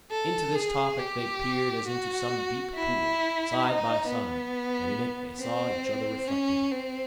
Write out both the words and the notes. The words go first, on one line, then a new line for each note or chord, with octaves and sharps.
Into this topic they peered as into some deep pool, side by side, and in it they saw each other reflected.
A4
G#4
G4
F#4
E4
D#4
B3
C4
C#4
C4